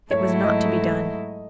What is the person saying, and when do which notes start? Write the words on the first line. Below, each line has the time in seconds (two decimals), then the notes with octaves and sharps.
It was not to be done.
0.11 G#2 F#3 A3 E4 A4 C#5
0.44 D#5